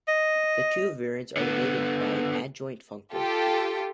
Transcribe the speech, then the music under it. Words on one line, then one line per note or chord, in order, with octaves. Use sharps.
The two variants are related by an adjoint functor.
D#5
D3 B3
F4 G4 A4 G5